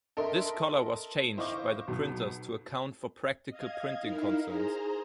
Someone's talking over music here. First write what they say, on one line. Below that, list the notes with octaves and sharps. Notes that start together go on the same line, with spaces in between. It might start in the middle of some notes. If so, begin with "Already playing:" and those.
This color was changed by the printers to account for practical printing concerns.
A4 A#4 D#5 E5 C6
E4 C5 D#5 F5 C#6 D6
B1 B2
D#5 F5 G#6
D#4 E4 A#4 F5
G#4 C5 A#5